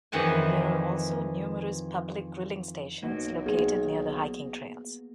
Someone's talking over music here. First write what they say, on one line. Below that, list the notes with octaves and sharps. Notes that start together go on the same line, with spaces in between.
There are also numerous public grilling stations located near the hiking trails.
F2 D#3 E3 F#5 G#5
B1 A#3 F#4
B3 G#4